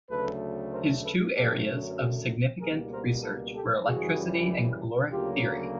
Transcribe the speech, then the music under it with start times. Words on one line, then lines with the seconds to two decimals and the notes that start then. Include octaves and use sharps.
His two areas of significant research were electricity and caloric theory.
0.10 D2 C#3 F#3 A3 A4 B4
0.73 A#4 C5
1.04 A4 B4
1.35 F#2 D3 F#3 A3 G4 A4
1.98 F#4 G#4
2.60 C#2 B2 G3 A#3 G#4 A#4
2.92 A#4 C5
3.23 A4 B4
3.54 G4 A4
3.86 F#2 C#3 E3 G3 F#4 G#4
5.11 D2 C#3 F#3 A#3 F4 G4